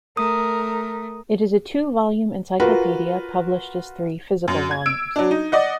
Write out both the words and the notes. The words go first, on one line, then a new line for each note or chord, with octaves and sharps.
It is a "two-volume" encyclopedia published as three "physical" volumes.
A3 A#4 D#6
F4 F#4 A#4 B4
F#2
G#6
E6 D7
F#3 D4
D#4
D5 D#5 F#5